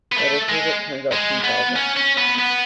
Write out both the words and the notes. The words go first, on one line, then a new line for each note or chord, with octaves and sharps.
But her favourite turns out to be Balzac.
B3
A3
G#3
G#3
B3
C#4
C#4
B3
B3